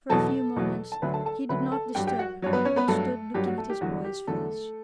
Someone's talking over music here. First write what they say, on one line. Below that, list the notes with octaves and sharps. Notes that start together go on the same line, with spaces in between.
For a few moments he did not disturb her, but stood looking at his boy's face.
E2 B2 F#3 A4 A5
E2 B2 F#3
A5
D2 D3 F#3 B4 B5
A4 A5
A4 A5
D2 D3 F#3 B4 B5
A4 A5
G2 F#3 G4 G5
G4 G5
F#4 F#5
G2 F#3 C#5
B3 B4
C#4 C#5
B3 B4
G2 F#3 A3 A4
G2 F#3 G4
F#4
A3 A4
G4
E2 D3 F#3 F#4
G4
E2 D3 F#3 A3 A4